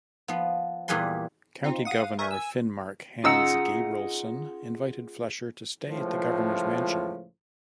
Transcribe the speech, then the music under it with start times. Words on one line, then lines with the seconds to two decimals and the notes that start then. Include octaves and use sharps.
County Governor of Finnmark Hans Gabrielsen invited Fleischer to stay at the governor's mansion.
0.28 F3 B3
0.88 E2 A#2 G3 G#4 B4 C6
1.64 C4 D#4 F4
1.85 F5 F#5 D#6 D#7
2.19 A#4 E5 G#5 C#6
2.31 G#5 E6
3.24 C#3 D#4 F4 G#4 F#5 E6
5.87 C#2 A2 F3